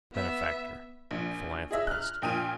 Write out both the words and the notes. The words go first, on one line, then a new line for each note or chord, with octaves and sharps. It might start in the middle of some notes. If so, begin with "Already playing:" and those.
Benefactor; philanthropist.
B3 E5
A#1
G#4 D#5 E5 E6
F6 F#6
A#1 A#2 G5 D#6 F6 D#7